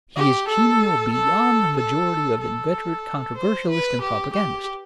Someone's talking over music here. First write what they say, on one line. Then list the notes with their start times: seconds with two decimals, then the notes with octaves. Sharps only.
He is genial beyond the majority of inveterate controversialists and propagandists.
0.16 G4
0.48 A4
1.13 A4
1.77 A4
2.41 A4
3.37 C5
3.70 B4
4.02 G4
4.33 G4